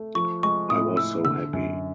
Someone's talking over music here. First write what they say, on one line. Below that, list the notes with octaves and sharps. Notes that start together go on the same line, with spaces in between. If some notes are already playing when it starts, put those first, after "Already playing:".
I was so happy.
Already playing: A3
F3 C#6
G#3 C#6
A2 D#6
A2 E6
D3 E6
F#2